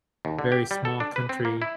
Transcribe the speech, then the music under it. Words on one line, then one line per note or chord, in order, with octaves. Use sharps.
very small country
D#2
D3
G4
G3
A4
D4
B4
C4
A#3
E4